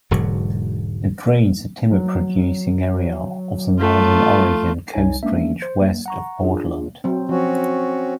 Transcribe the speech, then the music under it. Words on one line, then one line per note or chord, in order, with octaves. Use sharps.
It drains a timber-producing area of the Northern Oregon Coast Range west of Portland.
E1 G#2 D3 F#3
F#3
A3 F4
C2 G3 D#4 C#5 G#5
G#3 A#3 C#4 D4 E5
C5
A#3
F#5 A#5 C#6
D4 F4 G#4
F#3 C4
F3 C4 C#4 F#4